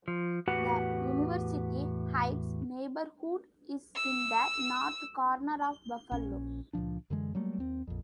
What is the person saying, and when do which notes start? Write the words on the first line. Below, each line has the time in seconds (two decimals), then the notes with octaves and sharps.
The University Heights neighborhood is in the north corner of Buffalo.
0.08 F3
0.48 E2 A2 F#4 G4 B4 F#5
3.96 E6
6.11 A#1 C#4
6.73 C#2 A#2 F3 D4
7.10 F#2 D3 E3 G#3
7.35 F#3 G3 A3 A#3
7.58 D#2 C4
7.87 A#1 F2